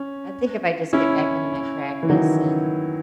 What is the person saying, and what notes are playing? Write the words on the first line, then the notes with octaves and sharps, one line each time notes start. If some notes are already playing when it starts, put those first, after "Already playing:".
I think if I just get back into my practice and
Already playing: C#4
C#4 E4
E3
D#3 F#3